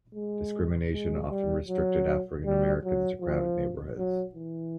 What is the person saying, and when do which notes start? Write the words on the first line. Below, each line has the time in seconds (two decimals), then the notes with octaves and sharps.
Discrimination often restricted African Americans to crowded neighborhoods.
0.15 G#3
0.92 G#3
1.30 G3
1.68 F#3
2.45 G3
2.84 F#3
3.21 F3
3.98 F#3
4.35 E3